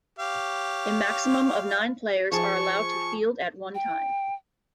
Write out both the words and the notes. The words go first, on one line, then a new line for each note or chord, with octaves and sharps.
A maximum of nine players are allowed to field at one time.
G4 C#5 F5
F3 G#4 A5 C#6
G5